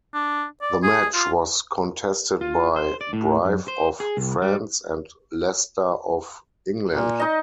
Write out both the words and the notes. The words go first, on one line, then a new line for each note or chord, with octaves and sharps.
The match was contested by Brive of France and Leicester of England.
D4
D5
G#4
F4
F4
C5
D5
A2
F#2
C5
G#4
C2
G3
A#2
D#4 D#5